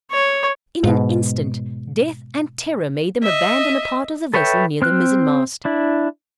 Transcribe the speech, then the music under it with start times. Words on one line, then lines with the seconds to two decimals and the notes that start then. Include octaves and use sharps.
In an instant, death and terror made them abandon a part of the vessel near the mizen-mast.
0.11 C#5
0.84 G#2 B2
3.23 D#5 E5
4.34 A4 B4 C#5 E5 G5
4.82 C4 F6 F#6
5.65 D4 E4